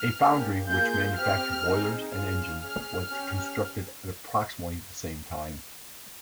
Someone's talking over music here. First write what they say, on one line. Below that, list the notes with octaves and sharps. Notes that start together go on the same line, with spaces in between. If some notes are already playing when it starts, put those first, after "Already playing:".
A foundry which manufactured boilers and engines was constructed at approximately the same time.
Already playing: F6
A#3 C#4 G4
A#3 F4 G#4 G6
C4 G4 F6
C4 D#4 G#4
C#4 F4 G#4 F6
C#4 G#4 F6
C#4 G4